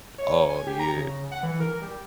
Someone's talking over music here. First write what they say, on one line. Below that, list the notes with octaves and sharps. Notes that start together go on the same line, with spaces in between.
Oh yeah.
C#5
G#5
G4
A#5
C#3
F#5
E3
A#4
G3